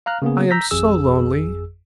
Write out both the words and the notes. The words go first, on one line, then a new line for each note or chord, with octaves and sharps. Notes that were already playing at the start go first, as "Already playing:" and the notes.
I am so lonely.
F5 A#5 F6 F#6
C#3 A#3 B3 G#4
A#5 E6 G6 A#6 B6
G#1 F2 G#4 E6